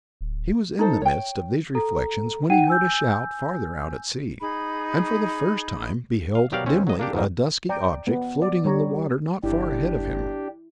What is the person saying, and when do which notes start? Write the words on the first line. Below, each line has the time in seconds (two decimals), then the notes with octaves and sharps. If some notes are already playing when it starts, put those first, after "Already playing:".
He was in the midst of these reflections when he heard a shout farther out at sea, and for the first time beheld dimly a dusky object floating in the water not far ahead of him.
0.21 D1
0.79 D#4 A4 C5
1.02 C#5 G5
1.75 A4 A#5
2.50 D#4 F#5 G5 D#7
2.68 G#5 E6 G6
4.41 D#4 G#4 B5
6.35 F5
6.52 B2 F#3 G4 A#4 D5 F5
6.66 D#2 C4 C#4
6.87 F#3 D#5
6.99 A#3 D4 G4
7.13 F2 G#2 G3 A#3
7.69 D5 G5 A#5
8.07 B3
8.42 D5
8.65 G3 C#5 A#5
9.44 G1 D4 E4 G4